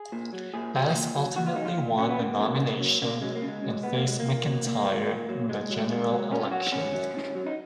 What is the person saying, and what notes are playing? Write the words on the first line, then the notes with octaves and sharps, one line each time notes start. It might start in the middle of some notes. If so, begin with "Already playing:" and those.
Bass ultimately won the nomination, and faced McIntyre in the general election.
Already playing: G#4
A#2
F#3
A#2 G#4
F#3
A#2
F#3
A#2 F#4
F4
F#3 D#4
F4
A#2
F#3 C#4
B3
C#3 A#3
F#3
C#3
F#3
C#3 A#3
F#3 G#3
A#3
C#3
G#3
F#3
A#2 B3
A#3
F#3 G#3
A#3
A#2
F#3
A#2 A#3
F#3
A#2
F#3
B2 G#3
F#3
B2
F#3
B2 C#4
F4
F#3 F#4
B2 C#4
F#3
B2
F#3
D#4